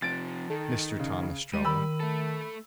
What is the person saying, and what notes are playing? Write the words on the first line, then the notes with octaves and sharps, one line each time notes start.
"Mr. Tom Ostrello."
C3 F3 A6 D7
D#3 A4
C#3
G3 G#3 D#7
D#3 B5 E6
A3 A4